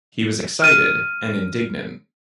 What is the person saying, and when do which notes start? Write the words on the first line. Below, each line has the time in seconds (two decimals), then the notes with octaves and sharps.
He was excited and indignant.
0.62 F6 D#7